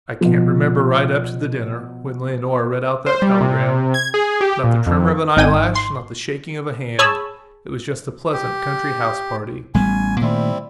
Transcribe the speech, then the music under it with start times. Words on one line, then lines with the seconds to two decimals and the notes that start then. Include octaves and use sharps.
I can't remember, right up to the dinner, when Leonora read out that telegram--not the tremor of an eyelash, not the shaking of a hand. It was just a pleasant country house-party.
0.21 B2 F3
3.06 C5
3.22 G3
3.41 C3
3.94 G#6
4.14 G#4
4.41 G4
4.64 A#2
4.87 F2
5.37 G#1 D#4 G5 G#5 D#7
5.75 C6
6.99 G#4 C#5 G#5 A5 B5 E6
8.33 G4
9.74 A1 G3 B3 G#5
10.21 A#2 D#3 G3 A3 C4 E4